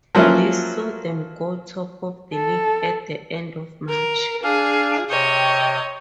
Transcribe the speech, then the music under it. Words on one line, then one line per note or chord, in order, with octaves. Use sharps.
This saw them go top of the league at the end of March.
F3 F#3 A#3 C#4 E4 F4
A4
A#4
D4 G#4 F5
C3 C#5 D#5 G5